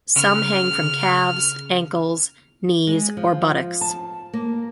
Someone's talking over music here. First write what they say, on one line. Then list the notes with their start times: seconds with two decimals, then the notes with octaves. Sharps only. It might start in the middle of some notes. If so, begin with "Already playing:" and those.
Some hang from calves, ankles, knees, or buttocks.
0.16 C#3 F6
2.87 G#3
3.17 F3
3.81 A5
4.34 A#3